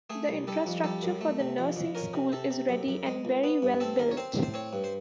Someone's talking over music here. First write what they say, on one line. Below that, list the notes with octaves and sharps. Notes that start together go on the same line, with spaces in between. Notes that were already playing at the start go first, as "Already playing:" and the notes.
The infrastructure for the nursing school is ready and very well built.
A3 G#4
C2
G3 A4
F2
G3 A4
F#2
A3
C3
F2
F2
C#4 A#4
C3
C3 A4
C3
F#2
F#2
G#3
C#2
B3
G2
C4 A4
D#2 A#4
C#5
C4 C5
A2
C5
C4 C#5
G2
C5